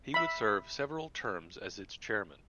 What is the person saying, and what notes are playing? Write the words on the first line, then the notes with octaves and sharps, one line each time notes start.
He would serve several terms as its chairman.
E5 B5